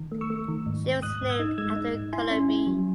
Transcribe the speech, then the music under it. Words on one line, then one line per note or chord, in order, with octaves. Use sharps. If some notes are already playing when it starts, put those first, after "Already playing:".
She was named after Colombie.
Already playing: D#3
A3
C#6 E6
A3
D#3
G#2
G#2
G#2 D#6 F#6
G#2
E6 G#6
D#4
G#3 E6 G#6
D#4
G#2
E4 G#5 C6
C#4
E4
F#3